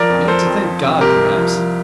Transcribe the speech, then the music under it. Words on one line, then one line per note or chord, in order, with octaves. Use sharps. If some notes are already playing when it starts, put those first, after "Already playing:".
You ought to thank God, perhaps.
Already playing: F3 A#4 D5
F2
F3 A4 C5
F2
F3
C3
C2 G4 A#4
C2
F3
F3